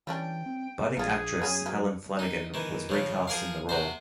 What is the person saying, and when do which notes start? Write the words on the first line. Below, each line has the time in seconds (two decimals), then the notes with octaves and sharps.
"Budding actress" Helen Flanagan was recast in the role.
0.07 E3 G3 C#4 D4 G5
0.46 C4
0.79 B2
0.97 A#1 D4 F4 G#4
1.42 F#2 B3 C#4 G#5
1.66 F#3 A#3 G4
2.19 D#4
2.54 D#3 E3
2.89 C#3 F3 F4
3.27 F3 G#4 A#4 F5
3.69 C3 F#4 C5